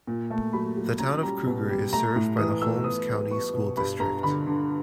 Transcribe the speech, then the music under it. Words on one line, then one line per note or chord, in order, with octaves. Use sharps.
The town of Cruger is served by the Holmes County School District.
A#2
A3
F#3 B5
F#3
C#4 A#5
G3 A#5
B2
G3
A3 A#5
A2
E3 D#6
A3 E6
B3 D#6
G3
B3 C#6
B2
G2 B5
G2 A#5
D3 B5
D3